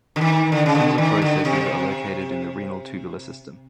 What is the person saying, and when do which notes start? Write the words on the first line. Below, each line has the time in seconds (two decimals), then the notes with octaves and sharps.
Similar processes are located in the renal tubular system.
0.16 D3
0.21 D#3
0.52 D3
0.66 C#3
0.75 D3
0.98 D#3
1.22 D3
1.45 C3